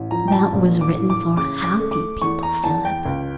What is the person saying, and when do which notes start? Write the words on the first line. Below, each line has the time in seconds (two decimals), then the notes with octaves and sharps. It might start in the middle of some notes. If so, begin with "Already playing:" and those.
That was written for happy people, Philip.
Already playing: A1
0.11 F3 A#5
0.28 G5
0.32 A5
0.53 A#1
0.81 D6
0.95 A2
1.10 D6
1.37 C#3 D6
1.64 D6
1.80 A3
1.91 D6
2.21 E2 C#6
2.43 A#5
2.64 E2 A5
2.85 G5
3.05 C#2